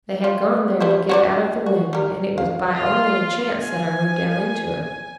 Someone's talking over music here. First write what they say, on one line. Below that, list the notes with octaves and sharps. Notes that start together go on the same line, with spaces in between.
They had gone there to get out of the wind and it was by only a chance that I rode down into it.
F4
G3 E4 C5
F#4 C5 D5
F#4
G3 A#4
F5
F4
G#5